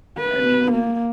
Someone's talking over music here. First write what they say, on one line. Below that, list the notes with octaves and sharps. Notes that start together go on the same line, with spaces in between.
I mean
B4
A#3